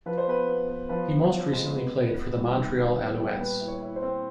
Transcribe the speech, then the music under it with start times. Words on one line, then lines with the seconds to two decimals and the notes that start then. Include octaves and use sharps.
He most recently played for the Montreal Alouettes.
0.06 F3 B4
0.18 C5
0.27 B3 B4
0.47 B3
0.68 B3
0.89 F3 B4
1.10 F3
1.31 F3
1.53 G#3
1.73 B3
1.94 B3
2.15 B3
2.36 G3
2.57 D#3
2.77 B3
2.99 G3
3.19 G3
3.40 A#2 B4
3.61 E4
3.68 C#5
3.82 E4
3.96 C5
4.03 C4